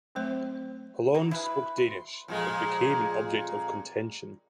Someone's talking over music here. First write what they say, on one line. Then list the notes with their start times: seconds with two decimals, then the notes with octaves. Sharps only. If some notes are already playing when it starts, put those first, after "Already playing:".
Halland spoke Danish, but it became an object of contention.
0.15 F#3 A3 C4 C5
1.15 F#3 D#4
1.31 E4 F4 G#4 B4
1.78 C6
2.28 F2 A#2 G#3